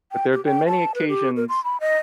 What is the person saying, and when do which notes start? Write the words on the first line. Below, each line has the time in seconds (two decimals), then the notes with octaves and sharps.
but there have been many occasions
0.12 G5
0.33 G4
0.45 G5
0.67 A5
0.95 B4
1.09 G4
1.36 A#4
1.49 C6
1.64 B5
1.80 D#5